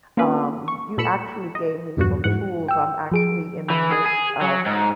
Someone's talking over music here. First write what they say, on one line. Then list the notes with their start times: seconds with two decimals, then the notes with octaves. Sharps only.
Um, y you actually gave me some tools, I'm actually in the midst of
0.17 A#3 C4 C#4 F4 B4
0.68 C#6
0.98 A#2 A4 B5 C#7 E7
1.55 D#5
1.97 E2 G2 A#2 F3 F#4
2.24 G#2 E3 F#5
2.68 G5 E6
3.12 F3 G#4 D7
3.70 E3
3.91 G#4
4.06 G#4
4.41 F#3
4.66 G#2